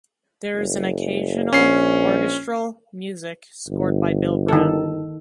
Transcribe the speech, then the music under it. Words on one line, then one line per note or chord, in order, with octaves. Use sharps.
There is occasional orchestral music, scored by Bill Brown.
F#1
A#1 C#4 C7
G1
D#3 A4